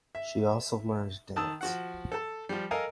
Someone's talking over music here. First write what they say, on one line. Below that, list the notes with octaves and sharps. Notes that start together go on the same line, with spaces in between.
She also learned dance.
E5
D#3 A5 D#6 E6
F3 F#4 F#5
A4 A5
F3 G3
A4 A#4 D#5 F5 G#5 D#6